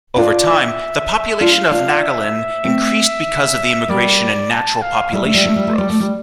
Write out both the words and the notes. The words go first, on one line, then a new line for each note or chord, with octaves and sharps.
Over time, the population of Naghalin increased because of immigration and natural population growth.
D4 F4 D5
E5
D4 F4 F5
D4 F4
E5
A3 C4
G3 A#3 D5
A5
F5
G3 E5
A3
G3
A3
G3
A3
G3 D5
A3
G3